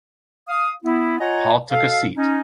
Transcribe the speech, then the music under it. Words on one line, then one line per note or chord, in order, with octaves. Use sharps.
Paul took a seat.
F5 D#6
B3 E4
F4 C#5 D#5 F#5 G#5 A#5
B2 A4 F5
C#4 D#4